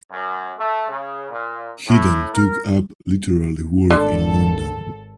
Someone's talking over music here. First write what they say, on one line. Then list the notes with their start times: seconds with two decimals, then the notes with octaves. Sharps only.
He then took up literary work in London.
0.11 F#2
0.58 A3
0.89 C#3
1.30 A#2
1.87 A2
2.34 A#4
3.91 G#1 D3 A4